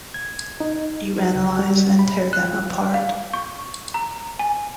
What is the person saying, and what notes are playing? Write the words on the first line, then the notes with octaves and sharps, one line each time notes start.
You analyze and tear them apart.
G#6
D#4
C#2
G3
B5
F#6
F5
C#6
A#5
G#5